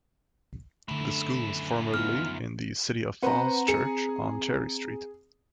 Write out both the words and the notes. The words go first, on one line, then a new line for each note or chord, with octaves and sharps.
The school was formerly in the city of Falls Church on Cherry Street.
F#2 D3 A3 E4
B3 D#4 F4 F6
C4 B4 C5 F#5 A#5
G#4 C#7